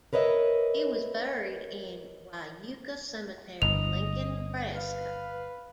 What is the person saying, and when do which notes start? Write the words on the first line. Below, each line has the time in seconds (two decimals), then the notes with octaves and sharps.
He was buried in Wyuka Cemetery, Lincoln, Nebraska.
0.13 A#4 B4 C#5 D#5 E5
3.62 G1 D#5 F7
4.76 B4 F5